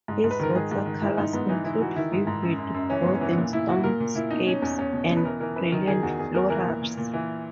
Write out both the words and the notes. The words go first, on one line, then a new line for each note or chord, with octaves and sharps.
His watercolors include vivid, brooding storm-scapes and brilliant florals.
G#2
G#2
B4
D#3 A#4
G#2 G#4
G#2
D#3
G#2 E4
G#2 D#4
G#2 B3
E3 D#4
E3 E4
E3 F#4
D#3 E4
G#2
G#2
F#2
F#2
F#2
E3 C#4
G#2 B3
C#4
E3 B3
A#2
A#2 E4
A#2 F#4
A#2 A#4
A#2
A#2 E4
B2 D#4
B2 C#4
E2 C#4
E2 C#4
B2
B2
B4
E3 A#4
E3 A#4
F#2 B4
D#3 A#4
D#3 G#4
E2 F#4
E2 G#4
E2 A#4
E3 A#4
A#2
A#2
A#2
E3